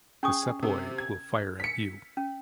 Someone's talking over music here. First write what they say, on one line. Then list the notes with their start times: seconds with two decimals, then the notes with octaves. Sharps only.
The sepoy will fire at you!
0.23 C#4 G#4 C#6 D#6
0.63 C3
0.98 G#6
1.60 B6 C#7
2.17 C#4